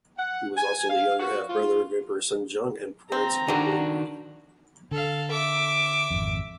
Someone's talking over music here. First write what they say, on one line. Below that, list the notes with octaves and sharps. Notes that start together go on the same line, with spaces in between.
He was also the younger half-brother of Emperor Sunjong and Prince Imperial Ui.
F#5
G#5
F5
F#4
F4
C4 A#5
D3 D#3 G3 D4 F#4
D3 A4 F5
E5 D6
G#1 F2